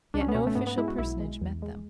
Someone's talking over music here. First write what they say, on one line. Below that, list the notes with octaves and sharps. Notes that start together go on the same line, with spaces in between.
Yet no official personage met them.
C#2 D4
C#4
B3
B2 C#4
A3
G#2 B3
B3
G#3 E4
F#4
B1 E4
G#3
E2
G#3